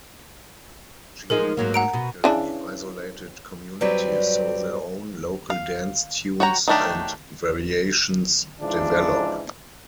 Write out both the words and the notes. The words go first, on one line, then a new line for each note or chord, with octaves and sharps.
Geographically isolated communities saw their own local dance tunes and variations develop.
F3 G#3 D#4 A#4
G#2 F#3 A#3
F#5 A#5 D7
B2
C#3 E3 D4
G2 F#3 G3 C4 G4 B4
F5
F#4 C#5 G5 A#5
D#3 F#3 A3 D4 G4
G#2 C#3 E3 F3 G#3 D4